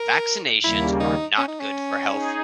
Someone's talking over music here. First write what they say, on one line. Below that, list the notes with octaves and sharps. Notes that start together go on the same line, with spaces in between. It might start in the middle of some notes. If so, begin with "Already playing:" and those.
Vaccinations are not good for health.
Already playing: A#4
D#2 C#3 G3 A#3 E4
D#4
C#4
D#4
C#4
D#4 G#4